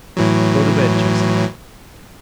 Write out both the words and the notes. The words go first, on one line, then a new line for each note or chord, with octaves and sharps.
"Go to bed, Jason."
A2 E3 F#3